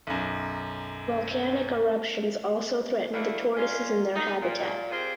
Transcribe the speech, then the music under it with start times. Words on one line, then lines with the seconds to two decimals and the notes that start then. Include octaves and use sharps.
Volcanic eruptions also threaten the tortoises and their habitat.
0.07 B1 F#2
3.13 D#3 E3 A3 A#3 D4 E4
3.57 A#3 C#4 D4 F4
4.16 D#4
4.42 A#2
4.91 C4 F4 G4 G#4 A#4 C5